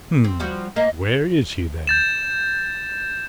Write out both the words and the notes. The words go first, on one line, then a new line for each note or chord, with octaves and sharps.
"Hm, where is he, then?"
C4
F3 G3 F#4
A#3 D#5
G6 A6 E7